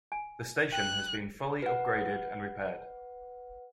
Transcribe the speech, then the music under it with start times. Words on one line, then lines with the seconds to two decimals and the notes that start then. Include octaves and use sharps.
The station has been fully upgraded and repaired.
0.12 G#5
0.72 G5 F#6
1.62 B4 F#5